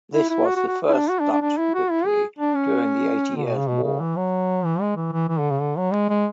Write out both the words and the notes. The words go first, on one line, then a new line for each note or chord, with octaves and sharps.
This was the first Dutch victory during the Eighty Years' War.
E4
E4
F#4
F#4
F#4
E4
D4
F#4
D4
D4
D4
E4
F#4
E4
G#4
D4
C#4
D3
B2
C#3
B2
C#3
E3
F#3
E3
G#3
E3
E3
E3
D3
C#3
D3
F#3
G#3
G#3